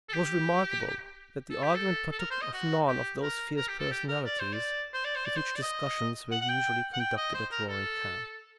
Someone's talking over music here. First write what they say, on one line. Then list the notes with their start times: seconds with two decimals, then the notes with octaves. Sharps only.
It was remarkable that the argument partook of none of those fierce personalities with which discussions were usually conducted at Roaring Camp.
0.09 A4
0.13 G4
1.51 A4
1.62 G4
1.75 A4
2.12 A4
2.19 A#4
2.31 C5
2.42 D#5
2.53 F#4
2.88 G4
3.22 A#4
3.57 A#4
3.68 G4
3.80 A4
3.91 G4
4.08 A#4
4.25 D5
4.40 C5
4.53 D5
4.94 C5
5.05 D5
5.15 C5
5.25 D5
5.36 C5
5.56 D5
5.63 D#5
6.31 F#5
6.42 F#5
6.49 G5
6.93 F#5
7.00 G5
7.17 D#5
7.34 C5
7.51 A#4
7.69 A4